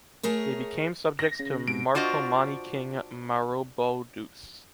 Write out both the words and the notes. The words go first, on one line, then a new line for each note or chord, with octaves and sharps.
They became subjects to Marcomanni king Maroboduus.
A3 G#4 A#4 C#5
A#6
C#3
G#2 C3 D7
D4 F4 F#4 C5 D#5